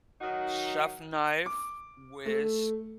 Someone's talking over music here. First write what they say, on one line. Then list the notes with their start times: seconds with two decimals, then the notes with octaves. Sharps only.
chef knife, whisk,
0.21 D#3 F#3 D#4 F#4
1.46 D6
2.26 A3